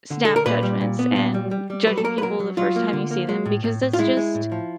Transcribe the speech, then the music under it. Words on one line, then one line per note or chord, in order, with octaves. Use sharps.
snap judgments, and judging people the first time you see them, because that's just
D3
D3 A4
A#4
A#2 B4
G3
A#2
B3
A#2
G3
G3
G3
F#3 B4
A4
A#3 A#4
B4
F#3 A#4
F#3
F#3 F4
A#3
D3
A#3
G#3
A2
A2
A2
F4
G#3 E4
G#3
A2
F3